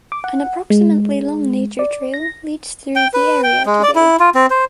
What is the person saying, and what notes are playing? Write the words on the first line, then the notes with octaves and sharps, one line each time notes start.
An approximately long nature trail leads through the area today.
D6
F#5
G#3
D5
A#6
G5
B4
G5
G#3
D5
E4
F4
C4
C5